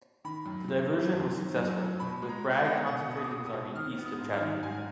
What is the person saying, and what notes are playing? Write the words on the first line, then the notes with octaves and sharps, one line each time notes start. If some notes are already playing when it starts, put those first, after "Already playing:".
The diversion was successful, with Bragg concentrating his army east of Chattanooga.
D#3 B5
F#2
F#2
F#2
F#2
D#3
F#2
F#3
B2 B5
G#3
A#5
G#3
F#5
B3
B2 F#5
B2
D#6
D6
B2 D#6
D#6
B2
D#3 F6
B3
D#6
G#2
F6
D#3
G#2 G#5